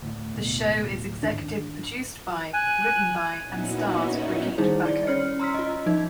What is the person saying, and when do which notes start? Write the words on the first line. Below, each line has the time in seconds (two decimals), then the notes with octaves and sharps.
The show is executive produced by, written by and stars Brigitte Bako.
0.02 D2 A2
0.34 B2
1.23 G#2 D#3 D4
2.54 G#5 F#6
3.41 A#2 B3 C#4 D#4 E4 F#4
4.58 D#3 G3 D#4 E4 G#4 C5
4.85 D5
5.07 C#4 C#5 F6 C#7
5.39 A#5 C6 E6 F6 B6
5.54 F4 D#5
5.86 F3 D#4 G#6